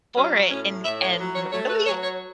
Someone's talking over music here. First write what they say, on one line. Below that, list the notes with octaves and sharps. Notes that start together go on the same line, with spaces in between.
for it and and really
F#3 C#4
A2 C#4
A2 E5
C#5
F#3
C#5
A3 C#5
B4
F#3 C#5
C#5